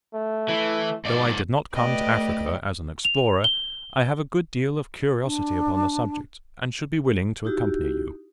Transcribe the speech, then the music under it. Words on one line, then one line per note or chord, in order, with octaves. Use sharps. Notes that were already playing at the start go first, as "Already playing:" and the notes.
Though I did not come to Africa as an explorer, I have a good deal of curiosity upon the subject, and should be willing to accompany you.
A3
E3
G#2 D5
A3 G4 B4 D5 D#5
F7
G7
D4
D#4 E4 F#4 G4